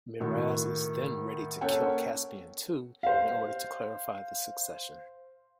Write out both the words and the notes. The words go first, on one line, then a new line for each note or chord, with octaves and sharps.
Miraz is then ready to kill Caspian too, in order to clarify the succession.
A2 D#3 F#4
A#3 C#4 A4 C#5 F#5 G5
C5 F5